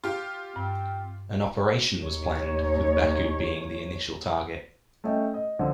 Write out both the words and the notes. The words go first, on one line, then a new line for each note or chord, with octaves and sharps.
An operation was planned, with Baku being the initial target.
F4 G4
G2 C4
D#2 C#5
A3 C#4 A4 D#5 G5
D#5
D3 F3 C4